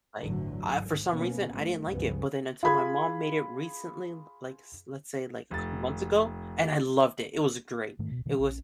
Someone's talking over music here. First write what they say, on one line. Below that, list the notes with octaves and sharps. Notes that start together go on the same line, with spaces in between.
Like, I for some reason, I didn't like it. But then until my mom made it recently, like, let's say, like, a couple months ago, and I loved it. It was great. It was
G1 D2 A2 D3 E3 F#3
G#2
B2 A#3 B3 C#4
G1 G2 A3
C#2 G2 C#3 F3 G3 B3
F4 G#4 B5 G#6
F1 A6
G#2 D#3 A3
D1 B2
B2 D#3 G3
A#1 C#4